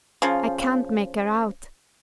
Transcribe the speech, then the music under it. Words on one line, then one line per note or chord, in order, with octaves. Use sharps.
I can't make her out.
C#3 F3